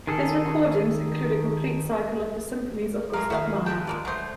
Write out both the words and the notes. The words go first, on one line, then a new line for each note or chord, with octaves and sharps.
His recordings include a complete cycle of the symphonies of Gustav Mahler.
D#3 G#4 A4
A2 F#3 G#3 A#4 F5
D#3 E4 F#4 G#4 D#5 F5
A#2 B4 G5 A5
G#3 A#3 F4 D5
D2 B2 F#3 G#3 A3 C5